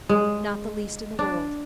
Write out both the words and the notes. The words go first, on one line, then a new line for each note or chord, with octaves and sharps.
"Not the least in the world."
G#3
D4